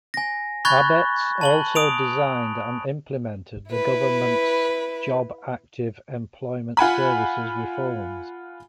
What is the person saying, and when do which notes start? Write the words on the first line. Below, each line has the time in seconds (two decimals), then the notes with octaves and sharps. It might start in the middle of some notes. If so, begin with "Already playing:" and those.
Abetz also designed and implemented the Government's Jobactive Employment Services Reforms.
0.14 G#5 A#6
0.65 B5 C#6 F#6 G#6 A6 G7
1.41 A5 F#7 G7
1.75 D#6 D7 F7
3.71 E4 B4
6.77 F4 F#5 G#5 B5